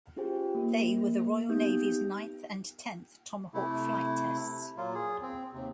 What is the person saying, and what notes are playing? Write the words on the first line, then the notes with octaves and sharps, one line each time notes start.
They were the Royal Navy's ninth and tenth Tomahawk flight tests.
C#4 F4 G4 G#4 C5 G5
A#3 A#4
B3 C4 D#4 G4 D#6 G6
C3 A3 E4
A#2 F#3 A#3 F4
G#4
C4
D#2 C3